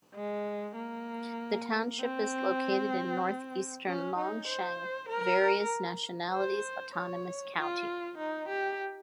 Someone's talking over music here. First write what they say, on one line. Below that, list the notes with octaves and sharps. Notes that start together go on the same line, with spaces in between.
The township is located in northeastern Longsheng Various Nationalities Autonomous County.
G#3
A#3
C4
C#4
D#4
C5
A#4
C5
C#5
F4
D#4
G4